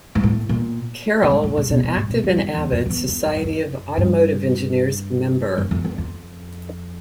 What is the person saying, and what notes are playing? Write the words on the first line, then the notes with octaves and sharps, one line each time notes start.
Carroll was an active and avid Society of Automotive Engineers member.
G#2
A2
A#2
A2
G#2
A2
A#2
B2
B2
G#2
B2
G2
F#2
E2
F2
F2
E2
F2
F#2
G2
F#2
G2
F#2
F2
F2
F2